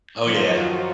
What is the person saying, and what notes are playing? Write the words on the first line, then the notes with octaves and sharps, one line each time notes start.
Oh, yeah.
F#2 D#3 F3 F4
F#3 F#4